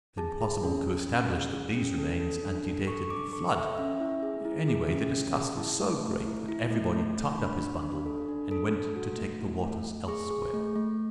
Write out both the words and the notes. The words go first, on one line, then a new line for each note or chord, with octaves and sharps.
It was impossible to establish that these remains antedated the Flood. Anyway, the disgust was so great that everybody tied up his bundle and went to take the waters elsewhere.
G#4 A5
G#4
C#4
C#4
C#4 B5
G#4
G#4
C#4
A4
A4
D4
A4
A4 C#6
D4 D6
A4 C#6
A4 E5
C#4 E5
E4
G#4
E4
G#4
C#4
C#4
G#4
E4 A5
A3
A3
E4
E4
A3
A3
A3
D4 B5
D4
D4
A4
D4
A4
A4
F#4
A3
E4
A3
A3
G#4 C#6
G#4
A3
A3